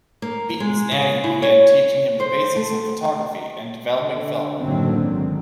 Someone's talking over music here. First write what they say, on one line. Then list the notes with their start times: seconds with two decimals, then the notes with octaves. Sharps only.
Beaton's nanny began teaching him the basics of photography and developing film.
0.22 A#3
0.60 G#3
0.92 C#3
1.24 E4
1.42 C#5
2.20 C5
2.56 A3
3.98 D3
4.60 F#1 A2 D3 D#3 F#3 C4
5.11 G#1 G#2